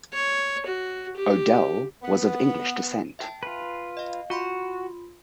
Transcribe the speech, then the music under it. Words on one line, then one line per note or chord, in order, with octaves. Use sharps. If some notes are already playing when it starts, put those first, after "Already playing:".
Odell was of English descent.
C#5
F#4
G4
B3
E5 G5 A5
F4 B4
D#5 F5
F4 F#4 B5 C6